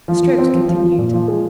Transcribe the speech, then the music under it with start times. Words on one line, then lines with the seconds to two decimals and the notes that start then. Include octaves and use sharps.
The strokes continued.
0.08 F3
0.23 F3
0.38 C4
0.54 F3
0.68 F3
0.83 F3
0.98 A#2
1.14 F3
1.28 G#3